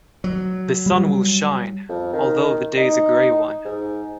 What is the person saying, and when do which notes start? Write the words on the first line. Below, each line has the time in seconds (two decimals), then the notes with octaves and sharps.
The sun will shine, although the day's a grey one.
0.24 F#3
0.86 G3
1.89 F2
2.13 D#3
2.77 D#4
3.65 G#2